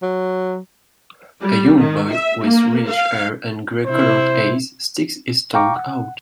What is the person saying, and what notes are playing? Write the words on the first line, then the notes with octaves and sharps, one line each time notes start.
A young boy with reddish hair and gray colored eyes sticks his tongue out.
F#3
G3
D#3
E5
A#3
F5
C3 E4 C5
F5 G5 A#5 C#6 D6
F#5